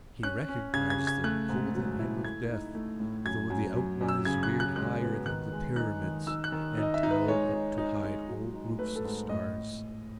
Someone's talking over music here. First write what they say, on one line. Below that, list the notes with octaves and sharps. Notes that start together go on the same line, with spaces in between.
He recognised them, cold in him of death, though the outlines reared higher than the pyramids, and towered up to hide whole groups of stars.
C#4 F#6
C#4
C#3 G#6
G#6
C#3
G#6
A3 F#6
G#2
F#3
E4
A3 G#6
D#4
A3
A2
F#2 G#6
F#2
F#2
F#2
E6
C#3 G#6
F#6
C#3
F#6
G#3 F#6
B3
D#3 F#6
G#3
D#4 F#6
D#3
D#4 E6
F#6
D#3
D#4
D#5
E5
D#4
B4
G#3 C#5
D#4
D#4
G#3
F#3
D#4
A3 B4
A4
G#2
A2 D#5